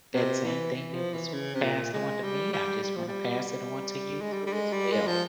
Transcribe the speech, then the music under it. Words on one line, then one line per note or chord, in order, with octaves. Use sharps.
that same thing that was passed on to me, I just wanna pass it on to you too as well,
C3
E3
E3
F3
E3
C#3
C3
A#2
G#3
G3
G3
G3
F3
G3
G#3
G3
G3
G#3
G3
G#3
F3